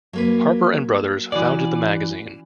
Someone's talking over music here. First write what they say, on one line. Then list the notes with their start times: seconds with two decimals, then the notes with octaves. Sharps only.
Harper and Brothers founded the magazine.
0.13 F#3 A#3 B4
1.32 E3 C#4 F#4 D5